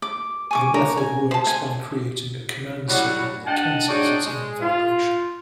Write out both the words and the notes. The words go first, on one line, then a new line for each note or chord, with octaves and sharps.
The method works by creating a command signal that cancels its own vibration.
D6
G#5 C#6 D6
A#4 C#5
G#5
C5 A5
G#5
A2 F#3 G3 C#4 F#4 F#5
D4 D#5 F#5 G5 A5
D4 D#4 F#4 G#4 C#5 D5
G#3
F4